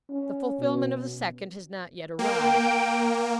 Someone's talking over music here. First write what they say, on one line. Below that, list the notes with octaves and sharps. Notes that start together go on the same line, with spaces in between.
The fulfilment of the second has not yet arrived.
C#4
B2
A#3 G5